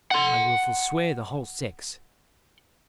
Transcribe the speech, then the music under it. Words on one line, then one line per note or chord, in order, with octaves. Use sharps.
I will forswear the whole sex.
F#5 C6